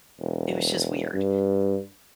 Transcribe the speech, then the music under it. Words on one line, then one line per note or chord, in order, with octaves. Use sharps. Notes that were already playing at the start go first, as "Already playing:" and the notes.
it was just weird.
E1
G2